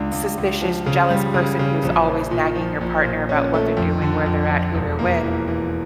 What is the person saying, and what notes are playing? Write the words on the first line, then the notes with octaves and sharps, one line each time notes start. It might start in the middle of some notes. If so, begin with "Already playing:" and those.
suspicious, jealous person who's always nagging your partner about what they're doing, where they're at, who they're with,
Already playing: C#2 D4
C#2
C#2
F3
C#3
G3
C#3
C#3
A#1
F3
A#2
F3
A#1
A#2
C#4
A3
F2
D3
F2
F3
E1
A#3
E3
E3